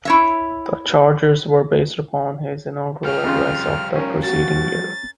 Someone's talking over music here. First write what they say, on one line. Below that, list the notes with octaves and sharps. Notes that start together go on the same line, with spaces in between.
The charges were based upon his inaugural address of the preceding year.
E4 C#5 E5
F3 G3 F6
F2 C#3 F4
C#4 A#4
F#4 A6